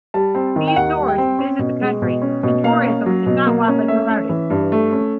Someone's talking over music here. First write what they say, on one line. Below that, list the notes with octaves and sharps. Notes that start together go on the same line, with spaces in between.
Few tourists visit the country and tourism is not widely promoted.
G3 A5
C4
D#3
G5
D#2 F#5
G3
G5
C4
C#4
B2
G#3
B2
C#4
B2
A#3 F5
C#4
F#3
B2
A#3
C#4
A3 E5
C#4
E3
G2
A3
C#4